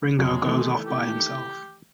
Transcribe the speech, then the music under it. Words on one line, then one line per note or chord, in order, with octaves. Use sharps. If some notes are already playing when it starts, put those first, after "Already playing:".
Ringo goes off by himself.
F2 F#3 G#3
D#3 E3 A3
G4